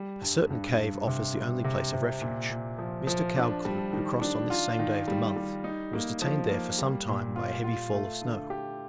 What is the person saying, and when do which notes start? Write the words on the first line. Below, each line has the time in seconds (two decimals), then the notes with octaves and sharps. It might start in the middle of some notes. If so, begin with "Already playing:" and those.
A certain cave offers the only place of refuge: Mr. Caldcleugh, who crossed on this same day of the month, was detained there for some time by a heavy fall of snow.
Already playing: G3
0.21 G2
0.50 G2
0.78 G2
1.07 C3
1.36 G3
1.64 C3
1.93 C3
2.21 A#2
2.50 A#2
2.79 F3
3.07 F3
3.36 D4
3.65 G3
3.93 D#3
4.22 D4
4.50 F4
4.79 D#3
5.08 G3
5.36 G3
5.64 D#4
5.93 A#3
6.22 F3
6.50 A#3
6.79 G3
7.07 A#2
7.36 F4
7.64 F4
7.93 A3
8.22 D3
8.50 G4